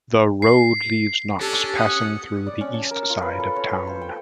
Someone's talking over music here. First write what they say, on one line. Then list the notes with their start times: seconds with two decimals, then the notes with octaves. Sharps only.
The road leaves Knox passing through the east side of town.
0.42 C7
1.40 C#4 D4 G4 A4
1.77 F#5 D#6
2.47 D5
2.61 C#4
2.74 A5
2.91 A#4
3.10 F4
3.22 B4
3.40 A4
3.56 C#5
3.69 C#5
3.87 C5
4.01 G5